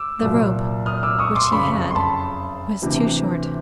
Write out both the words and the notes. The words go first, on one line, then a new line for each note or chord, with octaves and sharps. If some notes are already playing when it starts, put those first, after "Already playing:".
The rope which he had was too short.
Already playing: D6 E6
C2 A#2 F#3
D#6 F6
D6 E6
C#6 D#6
C6 D6
F#1 F2 C#3 B5 C#6
C6
A5 B5
D2 C3 E3